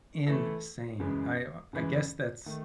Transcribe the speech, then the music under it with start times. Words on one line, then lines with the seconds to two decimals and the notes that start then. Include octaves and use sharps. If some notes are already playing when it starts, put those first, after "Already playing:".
insane. I, uh, I guess that's
0.26 E3 A3 E4 A4
1.00 F#2 C#3 E3 G#3
1.73 F#2 C#3 E3 G#3
2.46 D#3 A3